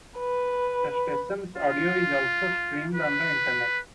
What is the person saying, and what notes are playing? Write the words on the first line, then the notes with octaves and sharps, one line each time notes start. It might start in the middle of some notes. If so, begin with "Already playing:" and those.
The station's audio is also streamed on the internet.
B4
F4
B4